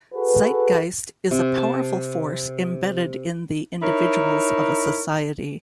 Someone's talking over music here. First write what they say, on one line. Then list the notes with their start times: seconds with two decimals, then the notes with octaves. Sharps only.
Zeitgeist is a powerful force embedded in the individuals of a society.
0.13 F#4 G#4 A4 B4
1.31 C3
1.57 A5
3.82 D#4 E4 A#4 C#5